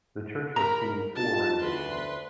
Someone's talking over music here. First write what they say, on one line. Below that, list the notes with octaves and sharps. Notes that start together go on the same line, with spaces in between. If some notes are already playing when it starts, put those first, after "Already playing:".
The church has seen four renovations.
A#4 A#5 B5
D4 D#4 F4 A5
D2 B4 C6